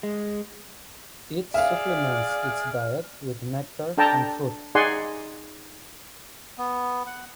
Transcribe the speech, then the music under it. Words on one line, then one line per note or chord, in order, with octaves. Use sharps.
It supplements its diet with nectar and fruit.
G#3
G#4 D5 E5 F5 F6
D4 A4 G5 A5 A#5
D#4 G#4 D5 F#5 G#5 C6
B3
F#5